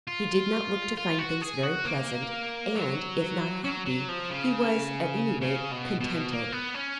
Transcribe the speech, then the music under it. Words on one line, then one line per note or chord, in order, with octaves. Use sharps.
He did not look to find things very pleasant, and, if not happy, he was, at any rate, contented.
F4
F4
F#4
G#4
F#4
A#3
F#3
F#3
F#3
F3
C#3
C#3
B2
B2
A#3
B3
C#4